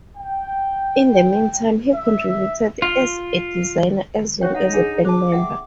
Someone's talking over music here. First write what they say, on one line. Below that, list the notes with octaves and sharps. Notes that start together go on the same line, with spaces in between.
In the meantime, he contributed as a designer as well as a band member.
G5
E5
F4
C#4 F#4 C#5 G5
D#4 F#5
D4 G#4 F#5
C5 A5 D6
E5 F#5 G5